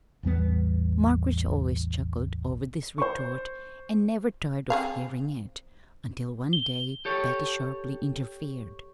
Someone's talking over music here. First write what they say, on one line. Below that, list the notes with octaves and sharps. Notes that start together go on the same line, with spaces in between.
Margaret always chuckled over this retort and never tired of hearing it, until one day Patty sharply interfered.
A1 E2 G3 B3
C5 C#6
C4 G#4 F5
G7
G4 A4 C#5